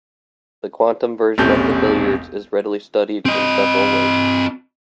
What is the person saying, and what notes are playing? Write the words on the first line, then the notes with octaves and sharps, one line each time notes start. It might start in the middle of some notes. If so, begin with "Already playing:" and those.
The quantum version of the billiards is readily studied in several ways.
E1 A#1 C3 C#4 A4 G6
C4 D#5